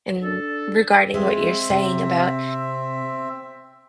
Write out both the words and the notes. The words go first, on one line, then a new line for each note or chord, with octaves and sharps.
and regarding what you're saying about,
D4 A4
G#3 C4 E5
C3